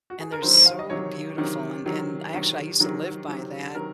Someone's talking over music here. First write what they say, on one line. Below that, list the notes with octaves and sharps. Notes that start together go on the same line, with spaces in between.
And they're so beautiful and and I actually, I used to live by that
F#4
G#4
A#4
C3 D#3 F#3 C5
C5
F5
D#5
C3 D#3 F#3 C#5
C3 D#3 F#3
C3 D#3 F#3
C3 D#3 F#3
C3 D#3 F#3
C3 D#3 F#3
C3 D#3 F#3 A#4